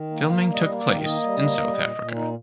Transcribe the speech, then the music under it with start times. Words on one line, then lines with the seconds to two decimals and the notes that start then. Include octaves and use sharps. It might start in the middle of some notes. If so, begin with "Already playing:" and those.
Filming took place in South Africa.
Already playing: D#3
0.11 A#3
0.28 A#3 F5
0.48 G3
0.53 D#5
0.66 A#3
0.78 D5
0.84 D#3
1.03 A#3 D#5
1.22 G3
1.40 A#3
1.59 G3
1.78 A#2
1.96 A#2
2.14 D#4